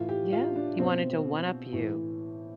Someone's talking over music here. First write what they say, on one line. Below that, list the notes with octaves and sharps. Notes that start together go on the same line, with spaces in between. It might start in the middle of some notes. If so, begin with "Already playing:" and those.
Yeah. He wanted to one up you.
Already playing: A2 E3 F4
G4
F4
D4
B2 C4
A2 E3